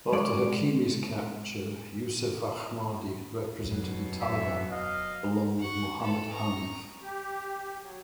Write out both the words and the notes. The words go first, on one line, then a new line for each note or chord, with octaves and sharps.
After Hakimi's capture, Yousef Ahmadi represented the Taliban, along with Muhammad Hanif.
G#3 C#5 D5
E1 F#2 B2 F#3
E5
D#5 F5
F#5 C#6
B3 A4
A#5 C#6
G4
F#3